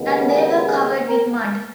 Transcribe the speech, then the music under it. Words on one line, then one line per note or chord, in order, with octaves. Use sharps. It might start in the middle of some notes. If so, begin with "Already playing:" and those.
And they were covered with mud.
Already playing: D#2 C#3 G#3 B3
G#4
G#4
A#4